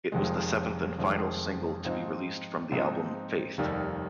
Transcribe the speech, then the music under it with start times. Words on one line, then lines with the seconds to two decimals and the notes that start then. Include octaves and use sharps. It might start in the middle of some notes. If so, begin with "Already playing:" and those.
It was the seventh and final single to be released from the album "Faith".
0.12 F1 F2 D#3 G#3
0.99 F1 F2 D#3 G#3
1.85 G#2 F3 C4 D#4
2.72 G#2 F3 C4 D#4
3.58 F1 D#2 D#3 G3